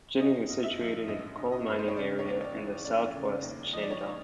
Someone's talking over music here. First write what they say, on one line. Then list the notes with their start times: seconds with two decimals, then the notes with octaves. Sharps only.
Jining is situated in a coal mining area in the southwest of Shandong.
0.20 D3 D#5
0.50 G2
0.64 E5
0.79 F3
1.08 A1 D#5
1.38 D3
1.52 D#5
1.67 G2 B4
1.79 C5
1.88 C#5
1.96 C#3 D5
2.19 C#5
2.25 D#2
2.41 D5
2.55 E3
2.85 F1 D5
3.14 C#3
3.28 D5
3.43 D#2
3.73 F3 D#5
3.82 D5
3.91 C#5
3.99 D3 D5